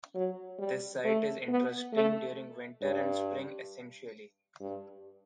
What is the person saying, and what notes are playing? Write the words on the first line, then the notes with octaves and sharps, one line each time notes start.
This site is interesting during Winter and Spring essentially.
F#3
G3
A3
B3
A3
G2
G2